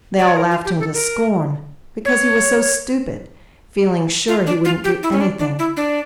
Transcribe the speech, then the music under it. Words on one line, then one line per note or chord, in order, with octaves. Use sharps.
They all laughed him to scorn, because he was so stupid, feeling sure he wouldn't do anything.
D5
C#5
A#4
F4
G4
A4
A#4
C#5
F4
D4
F4
G4
E4
C#4
D4
D4
E4
D4